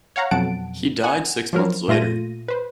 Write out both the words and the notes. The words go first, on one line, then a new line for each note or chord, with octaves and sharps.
He died six months later.
C#5 F5 F#5 A#5
F2 B2 F#3 F#5 A5 D7
F#5 G#5
F3 F#3 A#4
A#2 A3 F4 A#6 D#7
B4 C5